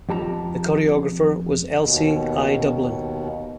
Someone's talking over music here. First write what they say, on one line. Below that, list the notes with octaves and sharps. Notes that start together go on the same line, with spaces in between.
The choreographer was Else I. Dublin.
F2 G4 A5 A#5
D#2 B2